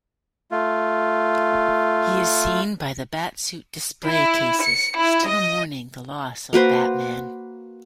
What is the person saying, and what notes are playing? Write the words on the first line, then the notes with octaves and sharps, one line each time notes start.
He is seen by the Bat-Suit display cases, still mourning the loss of Batman.
A3 F4
E4
C#7
E4
D#5
A#3 F#4 B4 C5